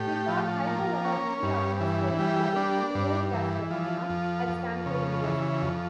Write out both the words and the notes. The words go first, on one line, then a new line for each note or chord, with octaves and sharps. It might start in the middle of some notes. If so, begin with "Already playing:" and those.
He taught Hypervelocity Atmospheric Flight and Real Gas Phenomena at Stanford University.
Already playing: A2 G4
F3
A#3
C#4
G2
E3
G3
D4
G2
E3
F3
F2
F2
C#3
E3
F2